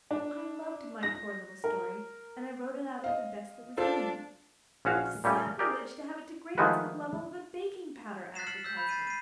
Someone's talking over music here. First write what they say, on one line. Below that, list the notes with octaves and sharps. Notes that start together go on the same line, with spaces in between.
I loved my poor little story, and I wrote it out of the best that was in me. And it is SACRILEGE to have it degraded to the level of a baking powder advertisement.
D4
A#6
A#4
D#5 F5
D4 F4 A4 C5
A#1 C#4 F#4 F5
A#2 G3 A3 C#4
G4 G#4 A#4 D5
D#3 F3 G#3 A3 F#4 B4
F#6 A6 B6 C7 E7
F6 A6 C#7 E7 F#7
E6 G6 B6
B5 G6
A6 C7 D#7
C7 D#7